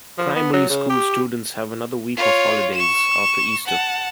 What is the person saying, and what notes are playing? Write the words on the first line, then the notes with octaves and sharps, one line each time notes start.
Primary school students have another week of holidays after Easter.
F3
B3
F#3
C#3
G4
F4 C#5
C#6 E7
F#5 A5